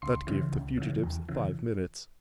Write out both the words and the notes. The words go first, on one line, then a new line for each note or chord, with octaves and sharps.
That gave the fugitives five minutes.
C#2 C6
C#3 E3
C#2
C#3 E3
E2
C#3 E3